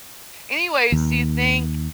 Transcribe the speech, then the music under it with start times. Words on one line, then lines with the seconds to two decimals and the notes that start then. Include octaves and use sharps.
anyways, do you think
0.92 D#2